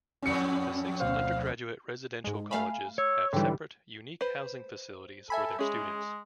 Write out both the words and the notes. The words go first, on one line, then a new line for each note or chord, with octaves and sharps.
The six undergraduate residential colleges have separate, unique housing facilities for their students.
F2 A2 C#4 C#7
D2 B2 C5 F5
G#2 G#3
A3 F5 G#5 B5
C#5 E6
G#2 D3 E3 G3 G5
B4 C5
A4 E5 G#5 B5
G#3 C#4 G#4